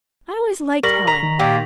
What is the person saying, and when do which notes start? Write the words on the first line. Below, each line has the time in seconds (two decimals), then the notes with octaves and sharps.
I always liked Helen.
0.83 G3 A#4 C#6 A#6 F#7
1.07 A#5 B6 F7
1.23 D#3
1.39 A#2 A#3 G4